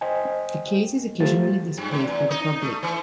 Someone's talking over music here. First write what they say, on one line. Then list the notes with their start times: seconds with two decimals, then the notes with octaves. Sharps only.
The case is occasionally displayed for the public.
0.01 C5 D#5 G5 G#5
1.20 F#3 A3 F4 G4 C5 A6
1.78 G2
1.91 A2
2.04 E2
2.31 D#4
2.61 A3
2.83 E3